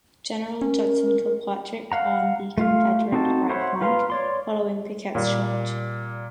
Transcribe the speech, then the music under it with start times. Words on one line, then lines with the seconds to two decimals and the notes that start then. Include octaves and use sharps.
General Judson Kilpatrick on the Confederate right flank, following Pickett's Charge.
0.62 C#4 A#4
1.92 F5 F#5 A#5
2.58 A3 F4 F5
3.12 C4 D#4 F#4 A4 A5
3.49 C5 C#5 E5 F#5 B5
3.81 F4 B4 F5 A#5 C6
4.10 C#5 D5 C6
5.15 A#2 G3